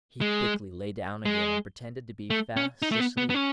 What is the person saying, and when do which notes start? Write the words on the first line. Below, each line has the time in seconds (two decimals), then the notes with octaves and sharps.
He quickly lay down again and pretended to be fast asleep.
0.21 G#3
1.25 G#3
2.30 A3
2.57 C#4
2.82 D#4
2.92 A3
3.00 B3
3.17 B3
3.30 B3
3.35 C#4